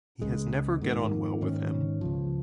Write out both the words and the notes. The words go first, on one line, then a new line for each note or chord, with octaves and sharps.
He has never get on well with him.
C#2 C#3 G#3
G#2 D#3 A#3
G#2 D#3 C#4
C#2 C#3 F3